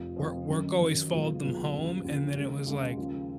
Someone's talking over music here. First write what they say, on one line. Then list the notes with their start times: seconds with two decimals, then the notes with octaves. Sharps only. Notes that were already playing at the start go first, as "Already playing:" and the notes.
Work work always followed them home, and then it was like,
Already playing: F1 F2 F3
0.16 F1 F2 F3
0.48 F#2 D#3 F#3
0.80 F#2 D#3 F#3
1.11 B1 A#2 G#3 B3 F4
1.42 B1 A#2 G#3 B3 F4
1.73 D#2 C#3 F3
2.04 D#2 C#3 F3
2.34 D#2 C#3 G#3
2.66 D#2 C#3 G#3
2.97 D#2 C#3 F3